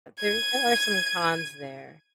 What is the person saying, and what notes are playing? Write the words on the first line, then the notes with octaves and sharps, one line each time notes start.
there there are some cons there.
G#6 D#7